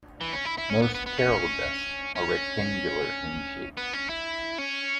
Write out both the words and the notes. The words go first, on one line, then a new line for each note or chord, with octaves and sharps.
Most carrel desks are rectangular in shape.
E3
C#4
E4
E4
C#4
B3
B3
B3
C#4
C#4
B3
C#4
E4
C#4